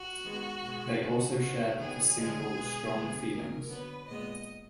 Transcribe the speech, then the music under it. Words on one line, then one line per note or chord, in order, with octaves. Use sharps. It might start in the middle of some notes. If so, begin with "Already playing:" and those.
They also shared the single "Strong Feelings".
Already playing: F#4
D#3 G#3 B3
B2 G#3 B3
D3 F#3 B3 F#4
D#3 F#3 B3 F#4
D#3 F#3 B3 G#4
D3 F3 G#3
B2 G#3 B3
D3 F3 G#3 B3
D#3 F#3 A#3 A#4
D3 F#3 B3 B4
A#2 G#3 B3 D#5